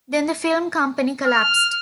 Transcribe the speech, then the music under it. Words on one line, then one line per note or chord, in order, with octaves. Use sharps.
Then the film company collapsed.
F6